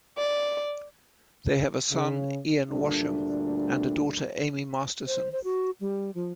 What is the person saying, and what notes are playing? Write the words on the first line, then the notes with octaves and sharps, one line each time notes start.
They have a son, Ian Washam, and a daughter, Amy Masterson.
D5
C#3
D2 A#2 G3 A3 D4
C5
C5
F#4
G3
F3